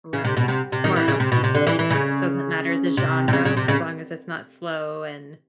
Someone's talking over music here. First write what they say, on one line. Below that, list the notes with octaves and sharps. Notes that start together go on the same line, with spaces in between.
Right. More upbeat music, doesn't matter the genre as long as it's not slow and
C#3
C3
B2
C3
C3
D#3
E3
C#3
C3
B2
C3
D3
E3
E3
C#3
C3
C3
C#3
C#3
C3
C#3